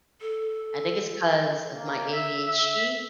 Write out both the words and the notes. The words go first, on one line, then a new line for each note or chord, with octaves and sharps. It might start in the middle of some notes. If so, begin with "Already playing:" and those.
I think it's 'cause of my ADHD
A4
A#3
E5
E5